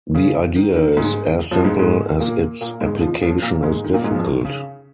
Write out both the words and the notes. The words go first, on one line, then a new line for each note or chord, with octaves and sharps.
The idea is as simple as its application is difficult.
C#3
D#3
D#3
G#2 G#3
F2 F3
G#2 G#3
G#2 G#3
A#2 A#3
A#2 A#3
G#2 G#3
F2 F3
F2 F3
A#2 A#3
G#2 G#3
D#3
A#2 A#3
G#2 G#3
F2 F3
D#3
C#3